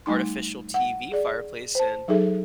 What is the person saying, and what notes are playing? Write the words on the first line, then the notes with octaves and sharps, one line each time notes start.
artificial, TV fireplace and
G3 A3 D#4 C6
F#5
G#4 D5
C5 A5
F#3 D#4 G#4 A4 E5